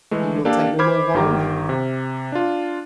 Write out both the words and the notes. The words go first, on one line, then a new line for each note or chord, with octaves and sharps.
"You will take no more wine?"
E3 G#3 A3
A#3 D4 G4 A4 F5
C5 B5 D6 F6 G#6
G1 D#3 G4 A#5
C3
D4 F4